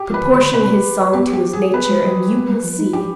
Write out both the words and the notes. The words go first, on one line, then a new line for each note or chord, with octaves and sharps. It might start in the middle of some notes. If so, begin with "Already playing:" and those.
Proportion his song to his nature, and you will see!
Already playing: G4
F3
B4
D3
D3 D#3 C5
C3 B4
B3 G4
G4
G#4
B3 B4
G#3
F3
G3
F3
G#3
G3
G3
F3
D#4
D4 G4